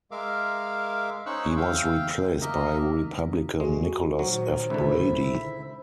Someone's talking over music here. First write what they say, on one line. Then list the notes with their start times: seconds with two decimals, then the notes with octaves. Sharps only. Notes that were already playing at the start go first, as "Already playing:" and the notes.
He was replaced by Republican Nicholas F. Brady.
0.11 G#3 A#4 E5 F5 D6
1.26 C#4 D#4 C5 C#6 E6 F#6
1.56 E5 F5 G5
2.41 A#3 A#4 D#5 E5
3.60 G#3 F#4
4.19 A#2 D#3 F#3 C5
4.70 C#2 D3 E4 E5